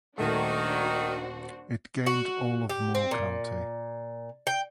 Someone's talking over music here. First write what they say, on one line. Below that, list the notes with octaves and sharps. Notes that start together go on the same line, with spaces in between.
It gained all of Moore County.
D#1 D#3 A3 D4 F#4 C5
F#4
G4
C4
A#2
G5